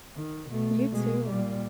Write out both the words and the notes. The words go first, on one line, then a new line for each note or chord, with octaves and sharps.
You too.
D#3
B2 A3
B2 G#3
A#2 G3